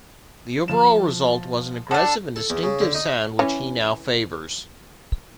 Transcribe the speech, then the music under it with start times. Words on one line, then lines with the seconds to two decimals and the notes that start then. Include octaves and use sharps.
The overall result was an "aggressive and distinctive" sound which he now favors.
0.68 F3 E7
1.91 D4 A4 F#5
2.36 A4
2.50 E2
2.63 C#3
2.81 D3
2.95 D#4
3.39 E3 C#4